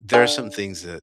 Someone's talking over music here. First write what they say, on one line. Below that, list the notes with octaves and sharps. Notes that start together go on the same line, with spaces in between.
there are some things that
D3 F5 G#5